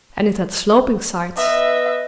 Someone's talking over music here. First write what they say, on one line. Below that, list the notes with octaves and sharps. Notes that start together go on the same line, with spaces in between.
And it had sloping sides.
B3 B4 D#5 E5